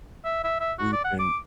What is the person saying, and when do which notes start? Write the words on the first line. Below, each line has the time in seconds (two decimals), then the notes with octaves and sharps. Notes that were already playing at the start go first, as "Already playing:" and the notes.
we've been
0.25 E5
0.44 E5
0.60 E5
0.78 F#4
0.92 D5
1.04 F#5
1.19 D6